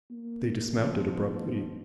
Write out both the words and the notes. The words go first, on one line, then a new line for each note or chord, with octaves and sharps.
They dismounted abruptly.
A#3
B2 F3
A2